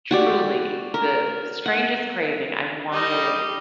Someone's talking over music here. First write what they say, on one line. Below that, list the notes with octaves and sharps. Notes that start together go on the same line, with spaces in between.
truly the strangest craving, I wanted
F#4 G4 D5
A#4
F#5
G3 D#4 D#5